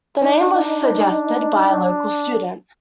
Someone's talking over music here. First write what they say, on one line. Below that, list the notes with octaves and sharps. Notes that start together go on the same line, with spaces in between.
The name was suggested by a local student.
D4 D#4